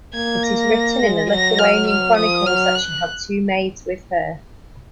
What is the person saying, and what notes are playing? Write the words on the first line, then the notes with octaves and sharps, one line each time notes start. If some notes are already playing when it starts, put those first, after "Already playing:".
It is written in the Lithuanian Chronicles that she had two maids with her.
A#3 G#6
A#6
G#3
F#3 A#6
F6
F6
F3 D#6
F#3 F6
F#6